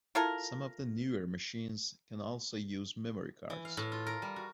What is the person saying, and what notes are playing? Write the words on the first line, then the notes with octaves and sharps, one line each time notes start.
Some of the newer machines can also use memory cards.
E4 F4 A4 A#4
E3
F5
A2
F4
A#4
G3
F#4